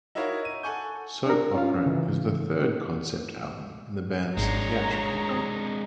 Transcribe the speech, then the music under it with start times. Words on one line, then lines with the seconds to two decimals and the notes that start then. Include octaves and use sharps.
"Soap Opera" is the third concept album in the band's "theatrical period".
0.15 D#4 E4 F#4 A#4 C#5 F5
0.45 D#7
0.63 A4 F#5 G#5 C#6 G6
1.26 D4 A#4
1.55 C#4 F4 F5
1.86 C#3 E3
4.37 G#1 G#2 G#3 D4 C#5 A#5
5.29 C4 D#6